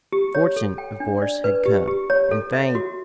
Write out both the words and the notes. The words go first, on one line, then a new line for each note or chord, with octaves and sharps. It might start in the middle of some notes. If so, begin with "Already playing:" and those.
Fortune, of course, had come, and fame.
G4
C#5
A4
G5
D4
D5
B4
G4
G4
C#5
A4
E5
F#4